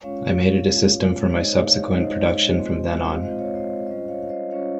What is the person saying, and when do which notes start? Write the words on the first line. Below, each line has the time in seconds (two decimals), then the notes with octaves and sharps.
I made it a system for my subsequent production from then on.
0.02 G#3 C#4 F4 C#5 F5
0.67 G#3 C#4 F4
1.25 C#5
1.31 G#3 D#4 C5 D#5
1.63 C#5 F5
1.95 G#3 D#4 C5 D#5
2.59 G#3 C4 F4
3.13 F5
3.22 G#3 C4 F4 C5 D#5
3.39 C#5 F5
3.55 C5 D#5
3.87 G3 C#4 F4 C5 D#5
4.08 C#5 F5
4.23 F5
4.29 C5 D#5
4.50 G3 C#4 F4 C#5 F5